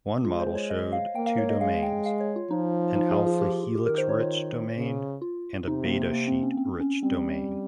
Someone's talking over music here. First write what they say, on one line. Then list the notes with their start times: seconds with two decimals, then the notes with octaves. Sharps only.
One model showed two domains, an alpha-helix-rich domain and a beta-sheet-rich domain.
0.25 G#3 F4
0.40 C5
0.55 C#5
0.70 D#5
0.92 F5
1.15 A#3 G5
1.26 F5
1.38 C#5
1.49 D#5
1.61 G#3 F5
1.83 G5
2.05 F5
2.20 C#5
2.36 F4
2.51 F3 D#4
2.96 D#4
3.11 G#4
3.26 F4
3.41 G4
3.52 F4
3.64 F4
3.75 G4
3.86 D#3 A#4
3.98 C5
4.09 C#5
4.20 F4
4.76 C#3
5.22 F4
5.67 C3 D#4
5.85 A#3
5.90 C4
6.13 A#3
6.28 C4
6.43 C#4
6.57 C4
6.80 C#4
7.03 G3 C4